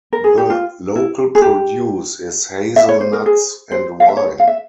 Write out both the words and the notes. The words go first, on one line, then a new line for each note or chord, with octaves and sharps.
The local produce is hazelnuts and wine.
A#4
G#4
G4
F4
E4
G#4
G4
E5
C#5
C5
A#4
G#4
C5
F5
E5
C#5
F5
E5